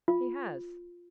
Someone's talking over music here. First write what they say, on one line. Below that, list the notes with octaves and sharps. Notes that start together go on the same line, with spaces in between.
"He has."
F4